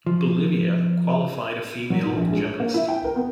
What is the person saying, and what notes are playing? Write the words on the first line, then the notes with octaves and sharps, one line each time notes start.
Bolivia qualified a female gymnast.
F3
F#3
G#2
A#1
G#3
C#5
A#3
E4
G5
A#4
B3